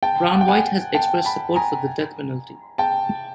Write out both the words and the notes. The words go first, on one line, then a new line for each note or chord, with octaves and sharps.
Brown-Waite has expressed support for the death penalty.
G5 A5
F#5
G5
F#5 G#5
G5 A5
A5 B5
G#5 A#5
G5 A5